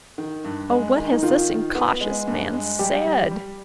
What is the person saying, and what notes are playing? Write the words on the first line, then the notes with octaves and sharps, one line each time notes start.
O what has this incautious man said!
D#3
G2
G#3
D#3
D#4
D#3 F4
D#3
B3
G#3
G2
G#3
G3 G4
G3
G3